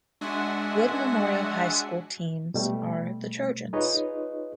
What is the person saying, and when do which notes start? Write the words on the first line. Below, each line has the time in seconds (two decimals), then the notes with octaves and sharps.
Wood Memorial High School teams are the Trojans.
0.21 G#3 D4 F#4 E5 F#5 G#5
2.54 B2 G3 A3
3.73 D#4 F4 G#4 B4 C#5 D#5